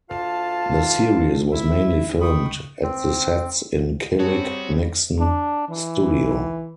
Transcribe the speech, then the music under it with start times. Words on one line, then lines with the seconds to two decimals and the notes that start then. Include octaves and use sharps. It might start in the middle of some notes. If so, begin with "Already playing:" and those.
The series was mainly filmed at the sets in Killick Nixon studio.
0.10 D2 F4 F5 A5
1.53 E4 E5
2.21 D#5 G5 B5 C#6 D#6
2.83 C4
4.19 G3 C4 F#4 G#4 C#5 A5
5.20 D4
5.69 E3